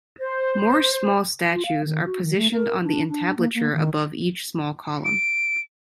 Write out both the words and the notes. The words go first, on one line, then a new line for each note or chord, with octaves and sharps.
More small statues are positioned on the entablature above each small column.
C5
F4
F5
D#3
F#4
D#3
A3
A#4
D4
D4
A#3
A#3
D#3
D7